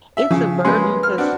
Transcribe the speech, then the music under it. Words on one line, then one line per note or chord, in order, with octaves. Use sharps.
it's a burden, 'cause
E5
C#3 F3
G#3 A#3 C#4 B4 C6
F6
C4 D4 F#4